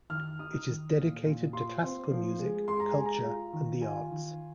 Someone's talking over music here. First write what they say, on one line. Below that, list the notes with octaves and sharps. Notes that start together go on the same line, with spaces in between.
It is dedicated to classical music, culture, and the arts.
D#3 F6
D#4 D#6
D#3
A#2
A#2
F4 C6
C4
F3
G#3
G#3 C6
A#5
G#3 G#5
A#5
F4
D#3
F4 G#5
D#3